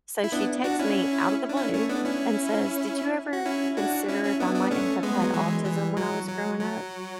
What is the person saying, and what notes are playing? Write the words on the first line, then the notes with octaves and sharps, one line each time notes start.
so, she texts me out of the blue and says, "Did you ever consider if I might have had autism when I was growing up?"
E4
B3 D4
D4 F#4
C#4 E4
D4
C#4 E4
A3 C#4
B3 D4
C#4 E4
F#4
C#4 E4
D4 F#4
C#4 E4
C#4 E4
B3 D4
B3 D4
A3 C#4
G#3 B3
F#3
E3 G#3
E3
F#3
F#3
F#3